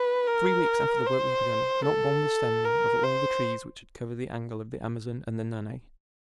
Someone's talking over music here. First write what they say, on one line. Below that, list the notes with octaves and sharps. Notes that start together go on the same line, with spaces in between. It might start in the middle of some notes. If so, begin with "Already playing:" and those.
Three weeks after the work was begun not one was standing of all the trees which had covered the angle of the Amazon and the Nanay.
Already playing: B4
A#4
C5
A4
A#4
C5